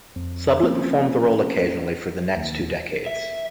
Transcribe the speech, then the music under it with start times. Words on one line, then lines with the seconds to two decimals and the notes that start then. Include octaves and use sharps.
Sublett performed the role occasionally for the next two decades.
0.16 F2
0.63 F3 A#3 C4 C#4
2.37 D#2
3.06 E5